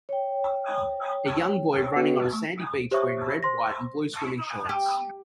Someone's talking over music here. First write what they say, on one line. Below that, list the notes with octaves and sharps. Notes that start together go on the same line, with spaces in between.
A young boy running on a sandy beach wearing red, white, and blue swimming shorts.
C#5 G5
B2
A3
G4 C5 C#5 E5 C#6
C5 C6 A#6
G4